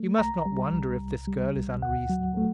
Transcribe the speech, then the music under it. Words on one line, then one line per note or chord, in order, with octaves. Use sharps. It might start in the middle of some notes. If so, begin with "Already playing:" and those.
You must not wonder if this girl is unreasonable.
Already playing: A3
C2 A#5
G3
C2
C2
G3
C2
D2 F#5
F#3
A3